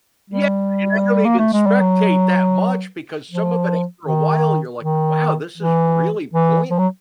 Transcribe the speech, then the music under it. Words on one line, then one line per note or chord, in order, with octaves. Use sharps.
Yeah, and I don't even spectate that much because some of it, after a while, you're like, "Wow, this is really point
G3
A#3
A3
G#3
G3
F#3
F3
D#3
D#3
E3
E3
F3
F#3